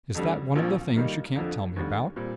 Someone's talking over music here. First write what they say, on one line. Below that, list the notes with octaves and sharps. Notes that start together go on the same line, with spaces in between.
"Is that one of the things you can't tell me about?"
F2 D3 G3
A#1 A#2 F3 C4
D#3 G3 A#3 D#4
F2 D3 F3
D#2 D3 G3
A#2 G3 C4